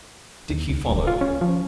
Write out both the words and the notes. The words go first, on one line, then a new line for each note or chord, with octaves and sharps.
Dickie followed.
D#2
C#2
D1
F4
C#4
F3